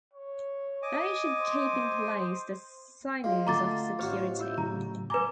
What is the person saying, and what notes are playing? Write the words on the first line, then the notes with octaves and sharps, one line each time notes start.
They should keep in place the sinews of security.
C#5
D#5 G#5 D6
C5
G#3 F4 D#5 F5
D2 A3 A#5 D6 A6
A1 F#4 C5 C#5 C#6 F6
E4 E6 G6
A2 C#3 F#3 A#5
B4 G#5 A#5 D6